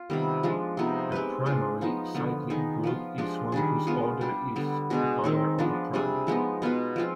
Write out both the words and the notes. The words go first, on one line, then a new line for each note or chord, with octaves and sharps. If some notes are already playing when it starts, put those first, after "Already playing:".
A primary cyclic group is one whose order is a power of a prime.
Already playing: F4
C3 D#3 G3 B3
F3 G#3 D4
C3 F3 B3 D#4
G#3 C4 G4 B4
G#3 D4 F4 G#4
F3 B3 D#4
D3 F3 B3
D#3 B3 D#4 G#4
F3 B3 F4
F3 G#3 D4 G4
D#3 G3 D4 G#4
G#3 B3 F4 G#4
G3 D4 G4
D3 G3 B3
B2 G#3 D4 G#4
D#3 G#3 C4 D#4
F3 G#3 B3 D4
C3 G3 D4 G#4
F3 G#3 B3 D#4
B2 B3 F4 B4
F3 G#3 C4 F4